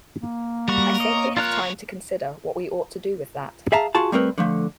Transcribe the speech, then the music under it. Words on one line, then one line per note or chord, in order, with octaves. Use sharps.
I think we have time to consider what we ought to do with that.
A#3
G3 F#4 A#4 C#6
C#5 D#5
F2 F4 A#4 C#5 F#6
G#4 E5 F5 A5 A#5
F4 F#4 G#4 A5
G3 A3 C4 A#4 B4
D3 F3 A3